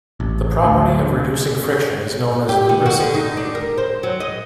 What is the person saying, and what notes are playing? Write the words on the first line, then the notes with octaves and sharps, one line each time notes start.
The property of reducing friction is known as lubricity.
A1
D2
G4
D#3
F#4
D3
D#4
D4
A#4
C5
F#3
D#5